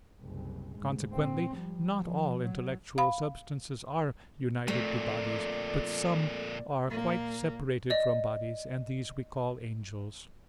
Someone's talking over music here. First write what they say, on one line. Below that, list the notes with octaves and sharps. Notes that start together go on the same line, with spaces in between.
Consequently not all intellectual substances are united to bodies; but some are quite separated from bodies, and these we call angels.
F#1 C2
D2 G#2
A#2 C4
F3 G3
F3
F#3
F5 B5
F2 A#2 A3 D5
A#2 A#3
D5 D#5